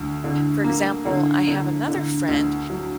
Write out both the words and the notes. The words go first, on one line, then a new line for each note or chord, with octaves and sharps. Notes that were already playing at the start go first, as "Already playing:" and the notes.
For example, I have another friend
Already playing: D2
D3
A#3
D3
D3
D3
D2
F#3